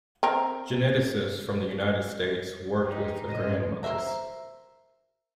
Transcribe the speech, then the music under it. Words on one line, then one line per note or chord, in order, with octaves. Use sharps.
Geneticists from the United States worked with the Grandmothers.
C4 A#4
D#4 G4 G#4
A2 C#3 C#4 C5 D#5
A#4 C5 C#5 E5 A#5